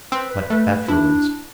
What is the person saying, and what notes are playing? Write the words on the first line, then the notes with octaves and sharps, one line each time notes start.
But afterwards.
C4 B4
B4
A3 B4
D4 E4